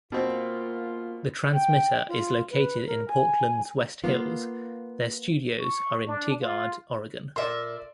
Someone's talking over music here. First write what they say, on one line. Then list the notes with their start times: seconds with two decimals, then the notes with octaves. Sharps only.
The transmitter is located in Portland's west hills; their studios are in Tigard, Oregon.
0.12 B2 A#3 C4 F4
1.53 G5
2.08 F4
2.51 B4
2.87 A#4
3.08 G#5
4.04 A#3 B3 F4
5.60 C#6
6.07 D4
6.41 F4
7.36 A#2 D5 E5 C6